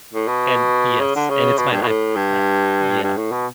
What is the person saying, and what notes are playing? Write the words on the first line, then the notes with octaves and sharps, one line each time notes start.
And yes, and it's my I've I yeah.
A2
B2
C#3
D3
C#3
B2
G2
B2
A2
G2
G2
A2
B2